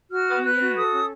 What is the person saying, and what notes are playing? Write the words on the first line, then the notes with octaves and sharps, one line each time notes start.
Oh, yeah.
F#4 F6
B4
B4 F#6
F#4
A4 D#6
C#4